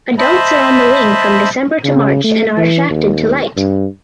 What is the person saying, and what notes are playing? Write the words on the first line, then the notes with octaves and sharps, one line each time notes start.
Adults are on the wing from December to March and are attracted to light.
C5 D#5 E5 A5 B5
C#3
A3
E3
D#2
G2